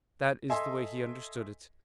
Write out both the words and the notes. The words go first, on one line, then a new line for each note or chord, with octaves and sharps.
That is the way he understood it.
A4 D#5 E5 G#5 C6